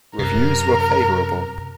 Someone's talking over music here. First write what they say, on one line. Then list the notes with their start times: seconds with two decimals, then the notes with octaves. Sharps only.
Reviews were favourable.
0.19 F#2 C3 A#4